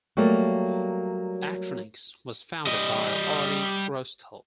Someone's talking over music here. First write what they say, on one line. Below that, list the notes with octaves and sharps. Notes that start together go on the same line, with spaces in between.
Artronix was founded by Arne Roestel.
F#3 G3 A3 A#3
G3 D#5